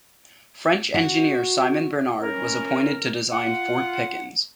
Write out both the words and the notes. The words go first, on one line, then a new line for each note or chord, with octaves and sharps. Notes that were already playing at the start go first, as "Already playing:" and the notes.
French engineer Simon Bernard was appointed to design Fort Pickens.
F#4
D#2 E3 C#4 A#4
F4 F#5